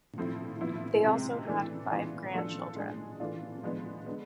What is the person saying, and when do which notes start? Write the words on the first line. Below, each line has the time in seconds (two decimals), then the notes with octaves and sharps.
They also had five grandchildren.
0.18 F3 A3 C4 E4
0.61 F3 B3 E4
1.04 C3 G#3 C4
1.47 E3 A3 D4 A4
1.90 E3 B3 D4 F4 G#4
2.34 F3 A3 D4 A4
2.76 G#3 D4 G#4
3.20 E3 A3 D4 F4
3.63 F3 G#3 B3 D4
4.06 D3 G#3 B3